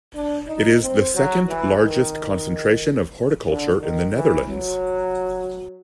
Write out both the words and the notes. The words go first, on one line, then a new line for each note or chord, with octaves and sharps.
It is the second largest concentration of horticulture in the Netherlands.
D4
D#4
C4
F#3
E3
D#3
D3
D#3
E3
F#3